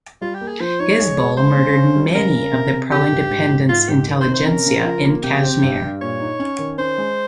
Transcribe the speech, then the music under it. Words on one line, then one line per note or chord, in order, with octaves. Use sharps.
Hizbul murdered many of the pro-independence intelligentsia in Kashmir.
G3 F4
G4
A#3
G#4
F3 C5
D#4 C#5
G#3
G#4
G#3 C5
C#3
C#4
G3
C#3 A#4
C#3
C3
C3
D#3 G4
G2
G#2
G#2
G#2 F4
F4
G#2 G4
D#3
C5
C3
C5
C#4 A#4
C#3
F3
A#3
C3 G4
C4
G2
G2
A#2 C#5
D#4
C#4
D#3
C#4 C5
G#3